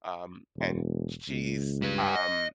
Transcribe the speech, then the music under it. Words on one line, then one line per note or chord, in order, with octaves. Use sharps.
um, and sh she's, um
E1
C#2
G3 B4
D#5